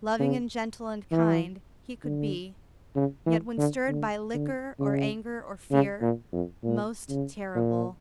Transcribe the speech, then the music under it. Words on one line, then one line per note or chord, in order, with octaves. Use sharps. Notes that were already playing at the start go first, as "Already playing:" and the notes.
Loving and gentle and kind he could be, yet when stirred by liquor, or anger, or fear,--most terrible.
C#3
E3
D3
C#3
E3
D3
D3
D3
C#3
C#3
A#2
F2
A#2
C#3
A#2